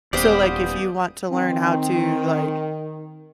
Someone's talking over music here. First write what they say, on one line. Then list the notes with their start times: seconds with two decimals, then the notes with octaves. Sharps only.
so, like, if you want to learn how to, like,
0.13 D#1 B3 G4 C5 D5 F5 D#6 G6
1.31 D#3 C4